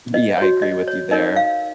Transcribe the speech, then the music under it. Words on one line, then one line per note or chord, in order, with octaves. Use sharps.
Yeah, I agree with you there.
D#5
F#4 C#5
D#5
C#5
D#4 A#4 C#5 D#5
F5